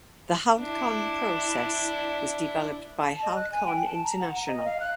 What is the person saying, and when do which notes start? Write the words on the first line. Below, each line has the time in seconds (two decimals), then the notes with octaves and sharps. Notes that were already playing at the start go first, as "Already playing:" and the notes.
The Halcon process was developed by Halcon International.
0.59 D4 E4
3.06 A5
3.22 D#5
3.36 F#6
3.52 G#5
3.67 G5
3.86 A5
4.04 A#5
4.21 F#5
4.35 A#5
4.47 D#5
4.65 F5
4.80 F#6